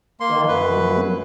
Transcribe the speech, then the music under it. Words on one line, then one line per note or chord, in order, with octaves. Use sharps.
Yeah, mhm.
A#3 C6
F#2 B4